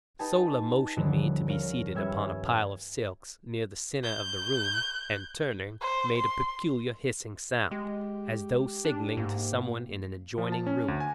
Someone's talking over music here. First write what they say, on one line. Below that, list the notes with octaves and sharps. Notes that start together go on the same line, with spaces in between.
Sola motioned me to be seated upon a pile of silks near the center of the room, and, turning, made a peculiar hissing sound, as though signaling to someone in an adjoining room.
D#4 G4 B4 G#5 A5
D#1 D3 F3
A#4 C#5 F5
G2 G3 C#4 E5 G#5 G#6
G6
C5
C6
G#3 G4
D4
G#2 A#3
F3
A5
C#4
D2
G#5